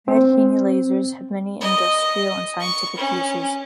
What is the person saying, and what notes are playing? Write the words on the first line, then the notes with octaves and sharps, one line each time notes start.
Red HeNe lasers have many industrial and scientific uses.
C4
D#5
C#6
C#4